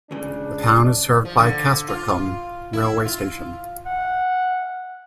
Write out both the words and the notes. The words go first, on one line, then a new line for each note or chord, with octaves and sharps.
The town is served by Castricum railway station.
C#2 C#3 D4
F3
D3
F4
E4
F4
F#5